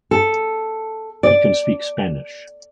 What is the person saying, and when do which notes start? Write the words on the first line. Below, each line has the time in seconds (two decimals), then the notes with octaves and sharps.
He can speak Spanish.
0.11 A4
1.23 D5